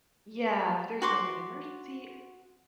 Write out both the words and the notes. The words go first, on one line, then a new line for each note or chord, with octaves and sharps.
yeah, if there's, like, an emergency
F#4 C6 D6